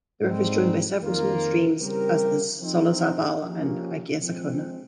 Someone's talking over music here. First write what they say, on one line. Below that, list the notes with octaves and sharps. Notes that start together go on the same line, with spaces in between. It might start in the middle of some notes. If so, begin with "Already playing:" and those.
The river is joined by several small streams as the Solozabal and Agirre-Sakona.
G#2 G3 C4 D#4
F2 D#3 A#3 F4 A#4
C#3 G3 C4 G4 A#4
F3 C4 D#4 G#4
F3 A#3 C#4 G4
F3 G#3 C4